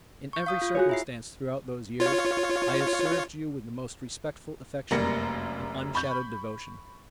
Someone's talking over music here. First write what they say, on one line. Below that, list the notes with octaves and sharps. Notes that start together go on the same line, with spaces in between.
In every circumstance throughout those years I have served you with the most respectful affection and unshadowed devotion.
C#6 G6
F5 D#6 G6
F4
F#4 G#4 C#5
E4 E5 C7
F4 C#5
F1 F#2 G3 A#3 A#6 C#7
B5 C#6 G6